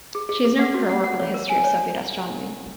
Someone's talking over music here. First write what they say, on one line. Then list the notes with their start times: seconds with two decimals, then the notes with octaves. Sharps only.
She is known for her work on the history of Soviet astronomy.
0.15 G#4
0.29 G#4
0.45 G#4
0.59 F#5
0.74 F#4
0.89 F#5
1.04 F#5
1.20 C#5
1.34 A#4
1.49 G#5
1.64 C#5